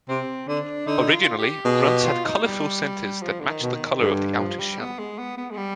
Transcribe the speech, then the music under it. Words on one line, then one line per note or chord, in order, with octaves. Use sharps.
Originally, Runts had colorful centers that matched the color of the outer shell.
C3 C4
D3 D4
D3 D#4
F4
G4
B2 G#4
G4
F4
D#4
G3
F3
D3
D#3
B2
D#3
G2 D3
F3
G3
B3
G#3
B3
B3
G#3
G3